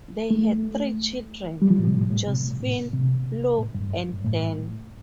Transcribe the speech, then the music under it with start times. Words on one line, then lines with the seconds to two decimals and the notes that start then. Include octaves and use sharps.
They had three children: Josephine, Lou and Dan.
0.30 A3
1.62 G3
1.70 F3
1.78 A2
1.87 C3
1.95 A2
2.10 A2
2.28 C3
2.44 A2
2.60 A2
2.93 C3
3.58 A2
3.75 G2
4.13 G2
4.24 A2